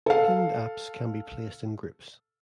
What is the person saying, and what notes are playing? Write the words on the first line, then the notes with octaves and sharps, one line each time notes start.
Pinned apps can be placed in groups.
A4 F5